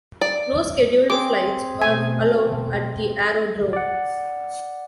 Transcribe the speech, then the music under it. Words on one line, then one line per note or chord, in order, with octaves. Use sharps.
No scheduled flights are allowed at the aerodrome.
D5
C4 G#4 D6
B2 A3 G#5
D5 F#5